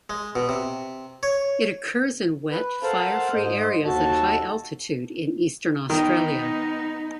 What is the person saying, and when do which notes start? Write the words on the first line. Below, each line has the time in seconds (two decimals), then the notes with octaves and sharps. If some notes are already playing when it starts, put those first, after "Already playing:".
It occurs in wet, fire-free areas at high altitude in eastern Australia.
0.10 G#3
0.35 B2
0.49 C3
1.23 C#5
2.51 B4
2.83 A4 A#4 C5 F5 F#5 A5
3.34 G#2 C5 D#5
3.85 D#2 F#4 A4 A5
5.90 D#3 B3 D#4